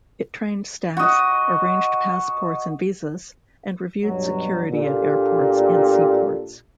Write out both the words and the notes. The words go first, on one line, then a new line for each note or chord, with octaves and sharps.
It trained staff, arranged passports and visas, and reviewed security at airports and seaports.
F#4 D#5
G2 B2 F#3
A#2 D4 G4 A4